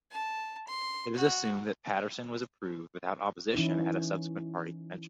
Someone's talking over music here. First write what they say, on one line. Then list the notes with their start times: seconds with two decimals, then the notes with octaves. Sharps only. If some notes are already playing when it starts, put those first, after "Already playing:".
It is assumed that Patterson was approved without opposition at a subsequent party convention.
0.12 A5
0.68 C6
1.15 F#4
3.55 E3 C#4 D#4 E4